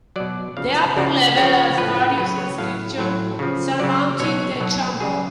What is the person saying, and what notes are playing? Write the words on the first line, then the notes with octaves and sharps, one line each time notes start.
The upper level has various inscriptions surmounting the chamber.
B2 F#3 D5
C#3 F3 F5
C#3 F3 D5
C#3 F3 C#5
A2 F3 B4
C#3 F#3 B4
C#5
A2 F#3 F5
A2 F#3
C#3 F3
C#3 F#3 D5
B2 F#3 C#5
B2 F#3 A4
C#3 F#3 G#4